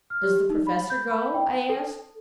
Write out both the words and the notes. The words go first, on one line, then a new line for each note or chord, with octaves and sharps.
"Does the professor go?" I asked.
F6
G4
D#4
B5
G6
B5
G5
A4